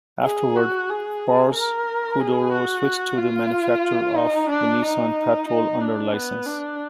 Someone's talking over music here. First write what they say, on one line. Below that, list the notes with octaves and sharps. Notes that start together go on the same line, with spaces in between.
Afterward, Pars Khodro switched to the manufacture of the Nissan Patrol under licence.
G#4
F#4
G#4
A#4
G#4
F#4
F4
D#4
D4
D#4
D#4
D4
B3
D4